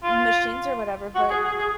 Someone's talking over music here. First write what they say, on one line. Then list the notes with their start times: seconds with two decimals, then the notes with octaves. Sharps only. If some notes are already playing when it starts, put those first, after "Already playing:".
m machines or whatever, but,
0.03 F4
1.15 F#4
1.30 G#4
1.44 G#4
1.58 G#4